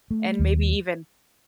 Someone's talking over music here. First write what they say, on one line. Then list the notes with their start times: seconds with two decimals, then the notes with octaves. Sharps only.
and maybe even
0.11 A3
0.39 D#2